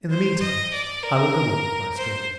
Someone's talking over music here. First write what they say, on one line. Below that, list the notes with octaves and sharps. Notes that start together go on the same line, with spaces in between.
In the meantime, I will go on with my story.
C5
D#5
D5
A#4
C5